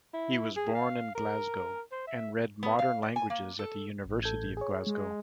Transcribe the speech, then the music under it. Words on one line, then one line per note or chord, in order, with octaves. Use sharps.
He was born in Glasgow, and read Modern Languages at the University of Glasgow.
E4
G#4
F5
A#4
C5
E5
B3
F5
D5
G#5
A#3
A4
A1
A4 G6 G#6
G#4 C#5
G#3